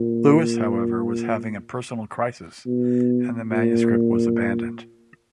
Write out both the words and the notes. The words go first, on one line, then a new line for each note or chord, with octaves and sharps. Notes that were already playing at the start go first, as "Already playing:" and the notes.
Lewis, however, was having a personal crisis and the manuscript was abandoned.
Already playing: A#2
B2
A#2